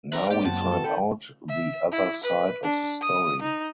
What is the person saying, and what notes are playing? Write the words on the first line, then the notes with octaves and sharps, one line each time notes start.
Now we find out the other side of the story.
D4 B4 C5 E5 A#5
E2 A2 A#3 C4 G4 D5
F#2 F#5 A5
G#3 F4
E3 F#4 A4
D#3 A4 B4 F#5 G5
E5
E4
B4
D4
D#6
D#4